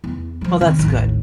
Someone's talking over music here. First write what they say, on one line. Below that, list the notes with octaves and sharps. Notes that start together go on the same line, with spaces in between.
Well, that's good.
E2
F3 G3
D#3 C4
A1 D#2